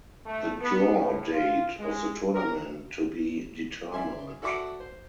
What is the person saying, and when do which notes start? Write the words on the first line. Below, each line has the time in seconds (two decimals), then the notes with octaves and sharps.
The draw date of the tournament to be determined.
0.26 A3
0.60 B3
0.95 A2
1.32 F4
1.79 G#3
2.33 A#4
3.92 D5 E5 G#5 C6
4.42 F#4 A4 D5 E5 F#5 D6
4.80 C5